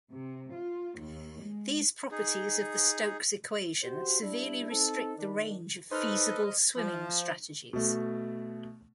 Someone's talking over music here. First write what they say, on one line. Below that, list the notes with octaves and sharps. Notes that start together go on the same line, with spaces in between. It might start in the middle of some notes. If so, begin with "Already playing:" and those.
These properties of the Stokes equation severely restrict the range of feasible swimming strategies.
C3
F4
D#2
G#3
D#4 G#4
F#4 G4 C5
G3 D4 E4
C4 D#4 A4
D#3 D4
D#4 A4 B4 C5 D#5 F6
F3
B2 A3